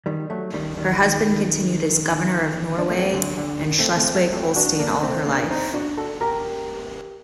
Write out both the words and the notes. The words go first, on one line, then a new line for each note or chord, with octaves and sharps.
Her husband continued as Governor of Norway and Schleswig Holstein all her life.
D#3 G3
F#3 A3
D#3 G3
D#3 G3
D#3
D#3
D4
A3 C4
D3 F#3
D3
D#3
A3 C4
A3 C4
F#3 A3
A3 C4
D4 F#4
A#3 D4
A3 C4
A#3 D4
C4 D#4
D4 F#4
F#4 A4
G4 A#4